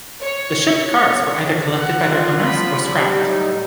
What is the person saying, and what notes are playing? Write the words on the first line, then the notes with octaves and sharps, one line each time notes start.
The shipped cars were either collected by their owners or scrapped.
C#5
F#5
F4
F3 B5
F#3 G3
A2 F#3 D#4